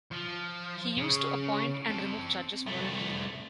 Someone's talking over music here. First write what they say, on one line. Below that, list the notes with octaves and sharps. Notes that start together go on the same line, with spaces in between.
He used to appoint and remove judges voluntarily.
F3
C#3
C4 A5
C2 A3